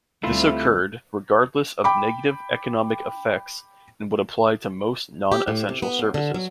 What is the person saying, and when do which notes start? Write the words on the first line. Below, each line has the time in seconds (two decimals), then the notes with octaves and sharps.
This occurred regardless of negative economic effects and would apply to most non-essential services.
0.23 D2 G3 A3 C4 E4 F4
1.84 G5 B5 D6
5.32 G4
5.47 A2
5.69 C3
5.82 B3
5.99 C#3
6.14 D3
6.34 F#3